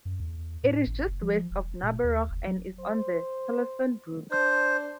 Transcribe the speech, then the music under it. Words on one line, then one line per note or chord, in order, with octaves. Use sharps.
It is just west of Narborough, and is on the Thurlaston Brook.
F#2
E2
A2
G#1
F#1
F3
E1
A#2
D#2
F1
F#3
C5
D4 C5